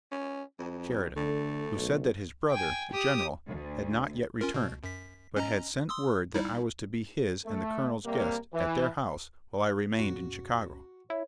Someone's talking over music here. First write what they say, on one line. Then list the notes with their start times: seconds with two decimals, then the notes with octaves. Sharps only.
Sheridan, who said that his brother, the General, had not yet returned, but had sent word that I was to be his and the Colonel's guest, at their house, while I remained in Chicago.
0.12 C#4
0.59 F2
1.17 D3 A3
1.75 B1
2.51 G5 G#5
2.92 G4 D#6
3.48 D2
4.41 C#4 F4 A#4
4.54 B2
4.84 F#2 B6
5.37 C#4 D#5 A#5
5.89 C6 D#6 E6
6.34 G3 D#4 E4
7.46 A3
8.05 C3 G3 A#3
8.53 E3
9.99 F2 A#2 C#4 F#4
11.10 E4 C#5